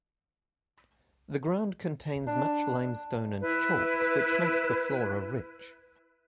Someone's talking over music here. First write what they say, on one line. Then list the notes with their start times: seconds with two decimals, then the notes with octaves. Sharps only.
The ground contains much limestone and chalk, which makes the flora rich.
2.27 D4
3.40 E4 B4